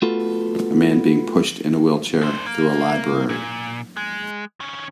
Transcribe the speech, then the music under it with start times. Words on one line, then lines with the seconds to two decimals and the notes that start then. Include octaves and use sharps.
A man being pushed in a wheelchair through a library.
0.02 A3 B3 F4 F#4 A4
2.23 D4 C5
2.46 A#3
3.29 A#2
3.97 G#3
4.60 D#3 C#4